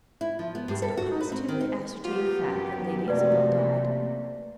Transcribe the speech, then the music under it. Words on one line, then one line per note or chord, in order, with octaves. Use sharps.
"Was it a positively ascertained fact that Lady Isabel died?"
E4
F3
B3
G2
A4
F#4
B4
C4
D#3
D#4
F#3 B3 F4 G4
F#2
C3 A3 A#3 B4 D5